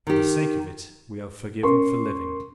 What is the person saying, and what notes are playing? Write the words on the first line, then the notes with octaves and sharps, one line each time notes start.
For the sake of it we are forgiven for living.
D#3 G4
C#4 A#4 C6 C#6